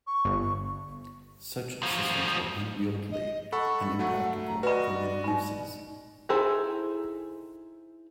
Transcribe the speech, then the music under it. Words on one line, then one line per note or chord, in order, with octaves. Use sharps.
Such systems were unwieldily and impractical for many uses.
C#6
G1
D2 F3
D#5
A4 F#5 B5 C#6
F#3 A3 F#5
A#5
F#4 B4 D5 D#5 B5
D#4 B5
D#4 E4 G#4 A4 C5